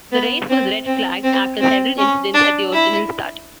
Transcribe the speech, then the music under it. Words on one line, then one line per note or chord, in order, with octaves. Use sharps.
The race was red-flagged after several incidents at the original start.
B3
C4
C4
C4
C4
C#4
D4
E4